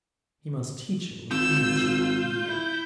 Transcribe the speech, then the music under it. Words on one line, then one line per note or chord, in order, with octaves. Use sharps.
He must teach her with whom she had to deal!
G#1 F4 E6 G6
E4